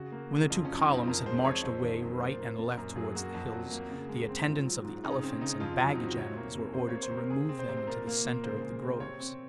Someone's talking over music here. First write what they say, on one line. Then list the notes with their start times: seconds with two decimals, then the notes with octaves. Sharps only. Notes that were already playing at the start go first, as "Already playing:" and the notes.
When the two columns had marched away right and left towards the hills, the attendants of the elephants and baggage animals were ordered to remove them into the centre of the groves.
Already playing: C#3 F#4
0.12 A#3
0.32 C#3
0.50 F2 F4
0.65 F#3 C#4
0.79 D#4
0.89 C4 F4
1.07 F2 A#4
1.26 G#3 C5
1.45 F2 C#5
1.63 F2 C5
1.82 D#3
2.02 F#3
2.21 A#2 C5
2.40 A#3
2.59 A#2
2.77 F#2 A#4
2.96 F#3 G#4
3.15 A#3 F#4
3.34 F2
3.52 F#3
3.71 A#3
3.90 C#3
4.09 G#3
4.29 C4
4.47 G#2 F4
4.66 F#3
4.84 G#2
5.04 C#3 D#4
5.23 C4 C#4
5.41 C#3 D#4
5.60 F2 F4
5.74 F4
5.80 F#3
5.88 D#4
5.98 C4
6.03 F#4
6.17 C3 C#5
6.37 A#3
6.55 C3
6.74 C3 C5
6.89 A#3 C#5
7.03 C5
7.11 C3
7.17 A#4
7.30 C3 G#4
7.49 C4
7.59 C5
7.69 C3
7.77 C5
7.87 A#2 A#4
8.07 A#3
8.25 A#2
8.44 C#3 C5
8.63 G#3
8.82 C4
9.00 C3 C#5
9.20 C4